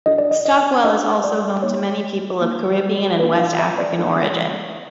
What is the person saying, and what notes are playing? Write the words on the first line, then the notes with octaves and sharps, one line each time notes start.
Stockwell is also home to many people of Caribbean and West African origin.
D4 F#4 A4 D#5
D5
D#5
D#5
D4 F#4 A4 D#5
D5
A#3 D#4 G#4 C#5
A#3 D#4 G#4
A#3 D4 F4 A4 B4
F5
E5
D5
A#3 D4 F4 A4